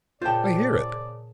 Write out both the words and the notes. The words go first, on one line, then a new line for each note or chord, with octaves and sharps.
I hear it.
A#2 C#3 F4 C5 D5 G5 A5